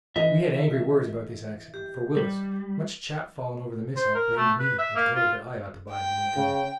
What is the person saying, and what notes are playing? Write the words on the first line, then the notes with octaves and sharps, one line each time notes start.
We had angry words about this accident, for Willis, much chapfallen over the mishap, blamed me, and declared that I ought to buy him a new gun.
E3 D#5 E5
G4
G3
C5
A#4
A3
B4
E5
A#3
F4
G5
C#3